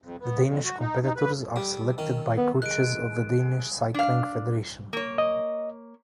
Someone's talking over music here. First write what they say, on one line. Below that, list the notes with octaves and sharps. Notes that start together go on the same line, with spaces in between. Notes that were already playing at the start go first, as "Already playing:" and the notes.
The Danish competitors are selected by coaches of the Danish Cycling Federation.
F2
B3
F2
F#4
D#4
D#4
B4
G3
D#3 C#4
B3
D#3 G#3 F#6 D7
D4 F5
A#3 C#5
D#5